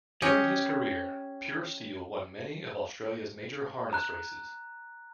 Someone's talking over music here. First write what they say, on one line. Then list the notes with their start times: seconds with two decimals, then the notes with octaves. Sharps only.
During his career, Pure Steel won many of Australia's major harness races.
0.22 C#4 G4 C#5 D#5
3.93 A#5 F#6